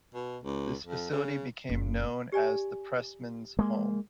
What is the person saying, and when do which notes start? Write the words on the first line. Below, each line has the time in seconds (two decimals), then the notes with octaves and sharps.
This facility became known as the "Pressmen's Home".
0.15 B2
0.44 C#2
0.86 F2
1.12 C#3
1.69 F#1
2.32 G4 D5 G#5
3.59 G#3 A#3